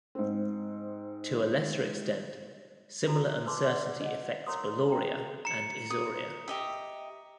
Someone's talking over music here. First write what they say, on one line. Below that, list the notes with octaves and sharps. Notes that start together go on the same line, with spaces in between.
To a lesser extent, similar uncertainty affects "Boloria" and "Issoria".
G#2 C4
F#4 A4 A#5
B4 A5 C6 D6
B4 D5 F#5
D#5 F#5
A#4 C#5 A#5 C6 D#6
G5 A#5
A#5 C#7
D#6
G4 D#5 E5